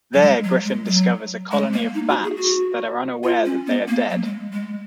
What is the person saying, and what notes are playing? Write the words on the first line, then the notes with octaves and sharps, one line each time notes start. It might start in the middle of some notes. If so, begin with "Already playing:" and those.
There, Griffin discovers a colony of bats that are unaware that they are dead.
F#3
G#3
F#3
G#3
F#3
G#3
A#3
D#4
F#4
G#4
F#4
F4
C#4
B3
A#3
F#3
G#3
G#3